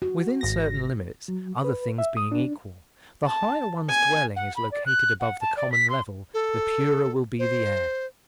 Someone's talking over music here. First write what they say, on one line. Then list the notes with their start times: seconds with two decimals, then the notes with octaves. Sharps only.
Within certain limits, other things being equal, the higher one's dwelling is located above the common level the purer will be the air.
0.02 F#4
0.41 G#1 A#6
1.28 F#3
1.64 B4
1.98 E5
2.17 D#6
2.32 D4
3.27 A5
3.89 G#5
4.36 F#5
4.56 B5
4.71 D5
4.86 F#6
5.20 F#5
5.40 A5
5.56 D5
5.71 B6
5.89 C6
6.34 A4
7.39 C5